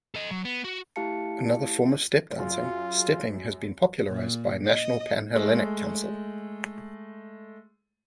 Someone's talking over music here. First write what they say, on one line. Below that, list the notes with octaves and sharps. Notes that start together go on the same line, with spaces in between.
Another form of step dancing, Stepping, has been popularized by National Pan-Hellenic Council.
A4 D#5
F#3
B3
F#4
A3 E4 G4 F5 A5 C#7
F#2 F4 G#4
A#2
D#5
G#3 A3